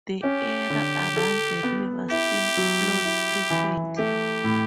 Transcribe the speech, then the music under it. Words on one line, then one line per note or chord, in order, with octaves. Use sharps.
The area around the river still floods frequently.
C#4 G4
D3
A4
B3
E4 G4
F#3
E4
E3
A3 G4
A2